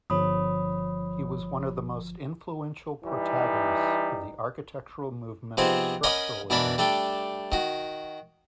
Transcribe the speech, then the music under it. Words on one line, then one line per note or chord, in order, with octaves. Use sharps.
He was one of the most influential protagonists of the architectural movement Structuralism.
G1 F3 C#5 B5 D#6
E3 G3 D#4
C3 F3 B3 C4 D#4 G#4
C#4 A#4 D#5 F#5 A#5 B5
B2 E3 D4 A#4 A5 B5
G3 A3 D4 G4 A4
D#3 F#4